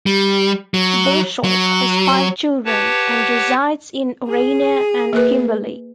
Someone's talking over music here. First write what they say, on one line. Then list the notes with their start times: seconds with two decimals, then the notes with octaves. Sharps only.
Boshoff has five children and resides in Orania and Kimberley.
0.06 G3
0.74 F#3
1.44 F#3
2.65 G4 B4 C#5 F#5 A5
4.27 G#4
5.13 A#3 A#4 B4